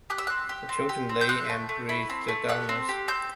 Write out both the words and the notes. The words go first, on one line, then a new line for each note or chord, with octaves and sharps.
The children lay and breathed the darkness.
G4 F#6
E6
C4 F#6
G4
C4
G4
C4
G6
C4 F#6
A3
A3
E4
C4
A3
G4 F#6
C4
G4
C4 G6